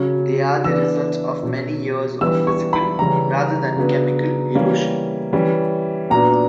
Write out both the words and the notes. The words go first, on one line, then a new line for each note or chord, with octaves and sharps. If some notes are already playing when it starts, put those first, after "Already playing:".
They are the result of many years of physical, rather than chemical, erosion.
Already playing: C#3 F#3 C#4
E3 B3 D4 E6
B2 F#3 C#4
E3 G3 B3 D4 E6
C#6
B5
C#3 E3 G3 C#4 A#5
C#3 F#3 B3 D4
E3 G3 A#3 C#4
E3 G3 C#4
A#2 F#3 B3 D4 A#5